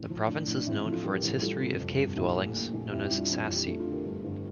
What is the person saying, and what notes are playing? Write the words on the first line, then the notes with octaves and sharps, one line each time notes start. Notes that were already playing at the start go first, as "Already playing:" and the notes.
The province is known for its history of "cave dwellings" known as "sassi".
Already playing: A1
F3
A2 D4
A1
D4
A1 C4 E4
D4
F3
F4 A4
G2 G4 A#4
A1
G3 F4 A4
C3
F2
G1
A#1 E4 G4
A3
A#2
A#1
F2 E4 G4
E4 G4
G3
D4 F4
E3 C4 E4
F2
G4
A3 D4 F4
D4 F4
D3
G4 A#4
G2
G1